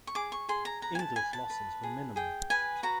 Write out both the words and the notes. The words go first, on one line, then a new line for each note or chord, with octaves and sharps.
English losses were minimal.
C#6
G#4 D6
C#6
G#4 C6
A#5
B4 A#5
G#5
A5
B4 G#5
A5
B4
G#4
G#4 G5
B4 G#5
F#4 A#5